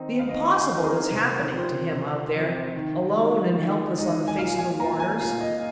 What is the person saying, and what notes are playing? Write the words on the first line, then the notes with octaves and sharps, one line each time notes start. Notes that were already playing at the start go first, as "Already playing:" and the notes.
The impossible was happening to him, out there, alone and helpless on the face of the waters.
Already playing: D#3 C4 D#4
F5
D#3 D#5
G#5
C4 D#4
A#4
G#4
C3 A#4
F3 C4 F4 C5
C3
F3 C4 F4
D#3
G#3 D#4
D#3
G#3 D#4
G#5
A#2 F5
G#5
A#3 F4 A#5
G#5
A#2 F5
D#5